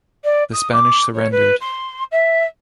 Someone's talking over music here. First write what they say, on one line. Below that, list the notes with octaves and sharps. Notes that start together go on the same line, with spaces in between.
The Spanish surrendered.
D5
D#6
D6
C#5
B4
C6
E5